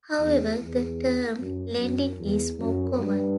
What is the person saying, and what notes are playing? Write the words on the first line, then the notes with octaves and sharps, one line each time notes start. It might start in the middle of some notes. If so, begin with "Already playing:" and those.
However the term "lending" is more common.
E2
E2
F#2
F#2
E2
F#2
G2